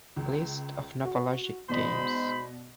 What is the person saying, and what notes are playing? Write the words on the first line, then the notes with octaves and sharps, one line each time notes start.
List of NovaLogic games.
C#2
F#4
G#2 B2 C5 D5 D#5 B5